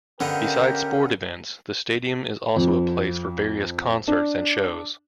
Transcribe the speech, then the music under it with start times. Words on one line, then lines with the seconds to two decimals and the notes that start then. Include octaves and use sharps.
Beside sport events, the stadium is also a place for various concerts and shows.
0.20 D3 B3 C#4 G4 A#4 D#5 F5
2.56 F2
4.08 D4